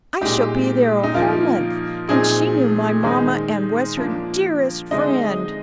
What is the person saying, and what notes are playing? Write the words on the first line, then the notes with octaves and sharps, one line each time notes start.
I shall be there a whole month, and she knew my mamma and was her dearest friend.
A#2 G#3 D#4 G4
D#4
F3 A#3 D#4 F4
A#2 F3 C4 D#4 G#4
D#3 G#3 D#4 C5
F3 A#3 D4
D3 G#3 C4 D#4 D#5